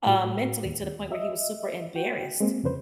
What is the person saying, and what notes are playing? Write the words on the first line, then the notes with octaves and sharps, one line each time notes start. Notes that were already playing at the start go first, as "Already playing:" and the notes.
uh, mentally to the point where he was super embarrassed.
A2 F#4
D#2
D#5 E5
F#4 G5
G#3 A#3 C4
F2 C#3 B4 C5